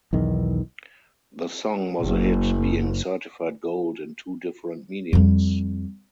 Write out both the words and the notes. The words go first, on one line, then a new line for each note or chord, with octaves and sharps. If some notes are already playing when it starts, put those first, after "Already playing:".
The song was a hit, being certified gold in two different mediums.
B1 E2 D#3
F#1
F2 G3